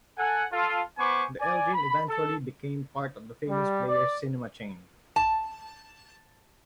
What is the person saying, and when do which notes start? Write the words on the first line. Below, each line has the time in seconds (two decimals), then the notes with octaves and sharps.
The Elgin eventually became part of the Famous Players cinema chain.
0.18 A4 F#5 G#5
0.52 F4 A4
0.98 B3 C5 G#5 B5 C#6 D6
1.40 D5 G#5
1.73 B5
2.08 A4 A5
3.48 G3
3.87 D5
5.16 A5